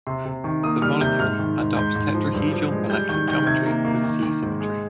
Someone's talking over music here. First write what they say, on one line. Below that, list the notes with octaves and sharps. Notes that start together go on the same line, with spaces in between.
The molecule adopts tetrahedral molecular geometry with C symmetry.
C3 C6
C3
D#3
A#3 D#6
G3 F6
C3 G6
G#2 F6
D#3
G#2
G#2 G6
G#2
F3
G2
F3
G#3
G3 G6
D#3 G6
D#3 G6
C3 G#6
A#3
A#3
D#3
D#3
G#2
G#3